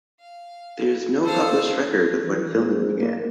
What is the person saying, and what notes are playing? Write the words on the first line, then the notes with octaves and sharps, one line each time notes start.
There is no published record of when filming began.
F5
A4 C5 F5
E3
G#2
A#3